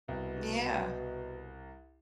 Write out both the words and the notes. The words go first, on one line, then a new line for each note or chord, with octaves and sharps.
Mm, yeah.
C2 B2